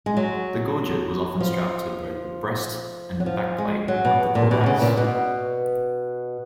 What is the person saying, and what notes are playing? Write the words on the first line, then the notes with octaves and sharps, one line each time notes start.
The gorget was often strapped to both the breast and backplate of the cuirass.
G#3
F#3
F3
F#3
F3
G#3
F#3
B2
A#2
B2
C#3
A#2
B2